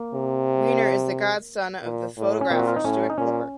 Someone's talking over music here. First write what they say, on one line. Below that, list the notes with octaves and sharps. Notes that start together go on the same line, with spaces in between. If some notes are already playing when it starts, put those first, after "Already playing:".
Weiner is the godson of the photographer Stuart Klipper.
Already playing: A#3
C3
A#2
A2
C#4
A#2 C4
F#4
F4
D#4
A2 C#4
D#4
A#2 C#4